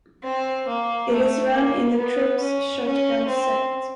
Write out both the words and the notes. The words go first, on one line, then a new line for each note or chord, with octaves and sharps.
It is run in the trips shotgun set.
C4
A#3
A3
A#3
B3
C#4
C#4
C4